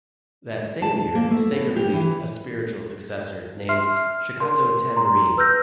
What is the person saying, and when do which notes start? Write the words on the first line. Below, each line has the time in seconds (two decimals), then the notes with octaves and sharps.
That same year, Sega released a spiritual successor named "Shakatto Tambourine".
0.82 A5
1.15 A#3
1.31 A3
1.52 B3
1.76 G4
1.93 E3
3.69 E5 C6 F6 C7
3.96 F6
4.40 A#4 C6
4.97 A#5 C6
5.37 B4 E6 F6 G6 A#6